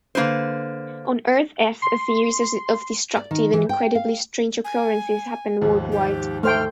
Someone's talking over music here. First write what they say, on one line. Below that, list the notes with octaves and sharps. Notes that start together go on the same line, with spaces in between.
On Earth-S, a series of destructive and incredibly strange occurrences happen worldwide.
D3 A#3 E4 B4 C5
C6
D5
D#3
E3
G5
F5
G#5
D#2 G#2 F3
G4
A3 C5 G5 F6